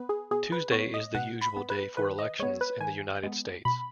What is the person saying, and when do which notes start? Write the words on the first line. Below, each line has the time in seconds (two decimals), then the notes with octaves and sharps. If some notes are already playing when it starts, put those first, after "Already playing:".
Tuesday is the usual day for elections in the United States.
Already playing: B3 B4
0.09 G#4
0.31 B2 G#4
0.52 B4
0.72 B3 C#5
0.94 D#5
1.15 B2 F#5
1.41 B5
1.57 B3
1.70 B4
1.97 D#3 B4
2.19 D#5
2.39 G#3 B3 C#5
2.61 B4
2.81 D#3 G#5
3.23 G#3 B3
3.65 B2 B5